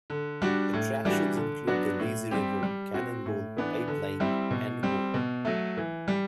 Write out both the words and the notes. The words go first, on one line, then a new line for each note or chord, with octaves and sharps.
Attractions include the Lazy River, Cannon Bowl, Pipeline, and more.
D3
G3 D4 F#4
A2
E3 G3 D4 F#4
D3
F#3 B3 D4 F#4
A2
G3 C4 G4
G3
C4 F#4
A2
E3 B3 D4
D3
G3 C4 E4
B2
G3 C4
B2
F#3 A3
E3
G3